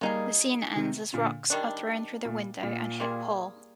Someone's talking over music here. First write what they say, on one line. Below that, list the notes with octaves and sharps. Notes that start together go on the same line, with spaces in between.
The scene ends as rocks are thrown through the window and hit Paul.
G3 G#3 A#3 D#4 G#4
C3 D#3
A#2 D3
D#3 G3 D4
A#2
A#2
G3 A#3 F4 G#4